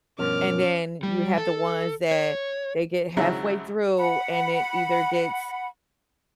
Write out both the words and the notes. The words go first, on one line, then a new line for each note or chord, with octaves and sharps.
and then, you have the ones that they get halfway through and it either gets
G2 B2 F3 C#4 A#4 D6 F6
G3
A4
C#5
G#1 C#3 F#3 E4 E5
F#5 B5